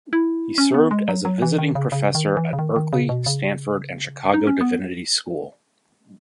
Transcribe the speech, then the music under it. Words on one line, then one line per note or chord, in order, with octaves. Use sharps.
He served as a visiting Professor at Berkeley, Stanford and Chicago Divinity School.
E4
C#4
B3
G#3
F#3
F#3
E3
D#3
C#3
C#3
D#3
E3
C#3
D#3
D#3
C#3
B2
C#3
D#4
C#4
B3